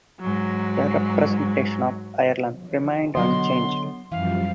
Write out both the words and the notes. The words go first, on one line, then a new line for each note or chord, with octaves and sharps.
The representation of Ireland remained unchanged.
G#2 F#3
D3 F#3 B3 D#5 C6
F#2 E3 F3 G3 F5